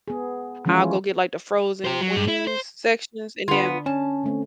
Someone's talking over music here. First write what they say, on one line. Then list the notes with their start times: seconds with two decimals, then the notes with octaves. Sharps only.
I'll go get, like, the frozen wings sections, and then,
0.08 B3 G#4
0.65 E3 F3 G#3 C#4 E4 F4
1.85 G4 C5
2.01 F#3
2.16 G2
2.28 E4
2.47 C5
3.48 D3 B3 D4 F4
3.86 C#4 A5
4.24 D3 A3 C4